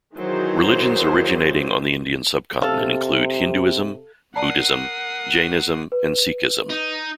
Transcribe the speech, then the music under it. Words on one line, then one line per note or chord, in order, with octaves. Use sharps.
Religions originating on the Indian subcontinent include Hinduism, Buddhism, Jainism, and Sikhism.
D#3 E3 F#3 G#4 C5
C3 A4 F5
A#4 D5 F#5 A5 A#5 D#6 C7
B4
D#4